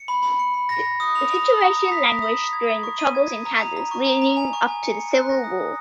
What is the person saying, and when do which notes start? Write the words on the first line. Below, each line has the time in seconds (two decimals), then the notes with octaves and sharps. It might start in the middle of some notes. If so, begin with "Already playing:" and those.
The situation languished during the troubles in Kansas leading up to the Civil War.
Already playing: C#7
0.08 B5
0.23 B5
0.39 C#7
0.54 B5
0.69 A#6
0.85 A#6
1.00 D#6
1.15 F7
1.31 F7
1.46 D#6
1.61 A#5
1.77 A#5
1.92 B6
2.08 B6
2.22 D#6
2.39 B6
2.53 G#6
2.69 G#6
2.83 C#6
2.99 D#7
3.15 G#6
3.30 G#6
3.45 A#5
3.61 A#5
3.76 A#5
3.91 C#6
4.06 A#5
4.22 A#5
4.37 G#5
4.53 C#6
4.68 G#5
4.83 C#7
4.98 G#5
5.14 F#6
5.29 A#6
5.44 D#6
5.60 D#6